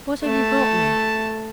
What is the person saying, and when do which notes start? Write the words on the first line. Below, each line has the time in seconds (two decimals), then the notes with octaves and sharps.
What have you brought me?'
0.23 A3 A5